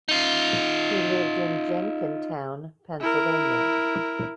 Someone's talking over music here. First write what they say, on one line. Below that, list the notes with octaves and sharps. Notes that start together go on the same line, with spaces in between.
He lived in Jenkintown, Pennsylvania.
D#4 F4
E4 A#4